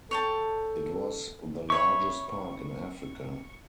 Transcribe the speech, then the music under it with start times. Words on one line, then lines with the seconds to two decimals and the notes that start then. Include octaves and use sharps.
It was the largest park in Africa.
0.11 A4 C#5 G5 A5
1.70 B4 C#5 E5 C#6